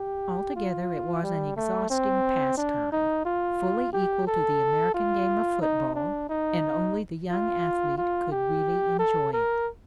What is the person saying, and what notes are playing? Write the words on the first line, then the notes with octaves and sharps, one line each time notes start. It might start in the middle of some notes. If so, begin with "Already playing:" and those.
Altogether it was an exhausting pastime--fully equal to the American game of football, and only the young athlete could really enjoy it.
Already playing: G4
F4
G3
A3
C4
D4
D#4
F4
G4
A4
F4
D#4
D4
D#4
F4
F4
G4
A4
A#4